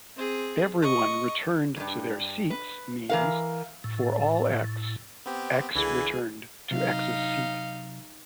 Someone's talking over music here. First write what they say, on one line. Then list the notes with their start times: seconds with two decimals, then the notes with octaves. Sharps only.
Everyone returned to their seats means For all X, X returned to X's seat.
0.16 C4 G#4
0.82 D#5 C#6
1.76 E2 G2
2.50 B4
3.09 E3 A#4 F5
3.84 A2
5.26 B3 C4 G4
5.75 C#2 D3 E3 G#4
6.71 C3 F#3 D#4 F5